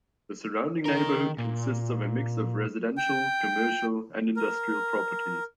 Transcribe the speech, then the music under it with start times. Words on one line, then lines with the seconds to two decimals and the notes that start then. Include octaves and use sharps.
The surrounding neighborhood consists of a mix of residential, commercial, and industrial properties.
0.86 D#3 A#4
1.38 A#2
2.97 G5
4.37 A#4